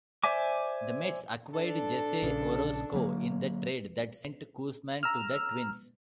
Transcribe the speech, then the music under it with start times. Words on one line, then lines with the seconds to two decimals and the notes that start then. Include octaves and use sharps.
The Mets acquired Jesse Orosco in the trade that sent Koosman to the Twins.
0.24 C5 D5 E5 G#5 D6
1.54 D4 A4
2.23 A#1 C#3
2.93 D3 F#3 A#3
5.03 A#5 E6 F6